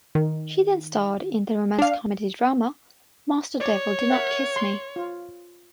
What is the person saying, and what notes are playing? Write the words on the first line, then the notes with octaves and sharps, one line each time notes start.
She then starred in the romance comedy drama "Master Devil Do Not Kiss Me".
D#3
D4 F5
C#5 D5 D6
A#4 E5 F#5
C6
F4